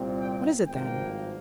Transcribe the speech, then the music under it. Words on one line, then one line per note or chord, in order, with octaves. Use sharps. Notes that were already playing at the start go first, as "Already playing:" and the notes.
"What is it then?"
Already playing: C2 A#2 G3 C4
G5
G#1 G2 F3 A#3 G5